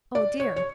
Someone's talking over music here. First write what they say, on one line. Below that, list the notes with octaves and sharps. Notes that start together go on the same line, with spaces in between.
Oh, dear!
D5
C#5
C#5